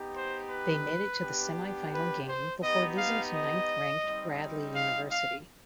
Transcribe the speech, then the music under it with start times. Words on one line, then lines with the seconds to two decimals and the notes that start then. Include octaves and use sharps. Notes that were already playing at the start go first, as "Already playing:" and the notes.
They made it to the semifinal game before losing to ninth ranked Bradley University.
Already playing: B3 D#4 G4
0.15 C5
0.50 B4
1.21 B3 D4 G4
1.93 B4
2.27 C5
2.63 B3 D#4 G4 D#5
2.98 F5
3.34 D#5
4.04 G3 C4 D#4
4.75 F5
5.11 F5